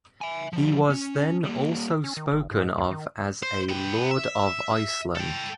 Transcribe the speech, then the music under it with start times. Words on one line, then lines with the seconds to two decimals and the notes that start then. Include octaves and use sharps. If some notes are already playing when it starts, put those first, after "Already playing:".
He was then also spoken of as a lord of Iceland.
0.21 E5 G#5
0.53 F3 G3
0.90 C#4
1.44 G3 A#3
2.04 C#4
2.17 D#3
2.32 G1
2.51 G#2
2.78 D#2
2.91 D#3
3.43 C5
3.70 B3 G5
4.11 E5
5.16 A4 G5